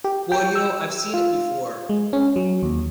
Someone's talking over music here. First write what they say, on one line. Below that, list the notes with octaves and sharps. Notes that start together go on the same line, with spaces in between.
Well, you know, I've seen it before
G4
G5
E6
F4
G#3
C#4
F#3
D#2